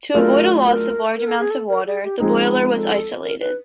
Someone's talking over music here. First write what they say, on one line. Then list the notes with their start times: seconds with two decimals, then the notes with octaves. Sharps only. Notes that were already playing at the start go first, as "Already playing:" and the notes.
To avoid a loss of large amounts of water, the boiler was isolated.
0.14 F#3 A3 D4 F4 G#4 A#4
0.65 A#4
1.17 A#4
1.28 A4
1.39 G#4
1.50 A4
1.68 A#4
1.86 G#4
2.04 G4
2.20 F3 G#3 C4 D#4 G#4
2.72 A4
3.23 A#4
3.41 B4